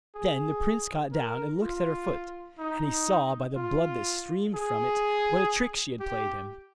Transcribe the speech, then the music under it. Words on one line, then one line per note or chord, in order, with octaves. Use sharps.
Then the prince got down and looked at her foot; and he saw, by the blood that streamed from it, what a trick she had played him.
G#4
A#4
F4
D#4
F4
G#4
G4